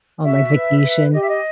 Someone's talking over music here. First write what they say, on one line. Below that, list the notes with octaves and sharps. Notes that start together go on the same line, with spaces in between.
on, like, vacation.
F#4 E5
B4
B4
G4 D#5
E5
D#5